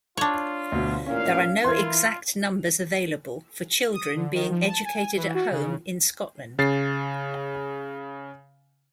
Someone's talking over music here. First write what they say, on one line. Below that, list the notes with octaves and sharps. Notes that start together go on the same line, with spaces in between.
There are no exact numbers available for children being educated at home in Scotland.
D4 F4 C#5
D2 B2
A1 E2 A#2 C#4 F5
E3 E4 F4 A#4 C6 G#6
D#6
D3
D#3
F3
A5
G#5
E3
F#4
C#3
C#3 A6 C7